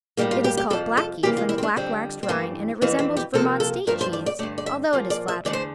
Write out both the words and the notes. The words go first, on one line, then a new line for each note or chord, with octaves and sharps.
It is called Blackie from the black-waxed rind and it resembles Vermont State cheese, although it is flatter.
A2 G3 A#3 G4
F4
G4
G4
F2 C3 F3 A4
A4
C3 E3 G3 A#3 G4
F4
E4
C4
D4
F2 D3 G3 C4
C4
G2 E3 A3 A#3
F2 E3 G3 A#3
C4
G4
C3 F3 A#3 A4
A4
G2 F3 A3 A#4
C5
D5
D5
G2 D3 A3 D5
D5
E5
A#2 F3 A#3
D5
E5
E2 D3 A3 D5
C5